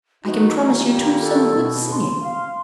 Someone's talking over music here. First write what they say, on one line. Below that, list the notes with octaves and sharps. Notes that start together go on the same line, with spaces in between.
I can promise you, too, some good singing.
E3 D#4 F#4
A#2 D#3 G3 A#5
A4
B2
C6
F5